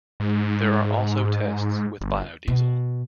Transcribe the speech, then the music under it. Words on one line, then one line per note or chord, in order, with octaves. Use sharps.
There are also tests with Biodiesel.
G#2
G1
B2